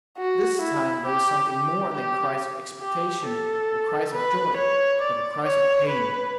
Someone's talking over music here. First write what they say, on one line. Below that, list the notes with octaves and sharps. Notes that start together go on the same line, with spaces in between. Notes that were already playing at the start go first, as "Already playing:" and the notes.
This time there was something more than cries of expectation or cries of joy, there were cries of pain.
F#4
E4
G4
G4
G4
G4
A4
B4
C#5
D5
C#5
B4